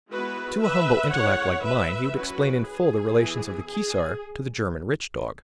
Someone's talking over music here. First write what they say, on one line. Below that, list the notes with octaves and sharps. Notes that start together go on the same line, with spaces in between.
To a humble intellect like mine he would explain in full the relations of the Keesar to the German Rich Dog.
G#3 B3 E4 F#4 B4
B4 E5
G#3 C#4 E4 C#5 F#5
B4 E5
F#3 C#4 E4 F#4 B4
G#4
E3 B3 E4
G#4